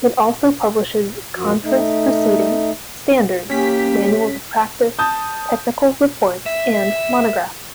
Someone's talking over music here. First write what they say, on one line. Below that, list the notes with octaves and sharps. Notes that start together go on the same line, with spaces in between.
It also publishes conference proceedings, standards, manuals of practice, technical reports, and monographs.
F#2 F3 F#4
A3 D#4
A#3 C#4 G4 B6
A5 D#6 G6
E5